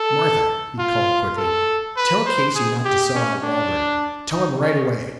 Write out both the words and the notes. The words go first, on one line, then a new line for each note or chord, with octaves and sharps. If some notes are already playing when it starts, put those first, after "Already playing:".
'Martha,' he called quickly,--'tell Casey not to sell out Waldron--tell him right away.
Already playing: A4
F4
A4
B4
C5
G#4
G4
C#4
D4
D#4
C#4